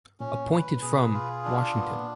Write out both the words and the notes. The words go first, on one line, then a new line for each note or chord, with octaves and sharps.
Appointed from: Washington.
A#2 C#4
B4
B2 G#4
F4
D4
A#2 B3